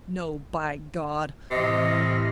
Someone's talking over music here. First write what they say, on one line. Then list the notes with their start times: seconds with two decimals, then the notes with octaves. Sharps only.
No, by God!
1.51 A2 C3 E3 D#5 F6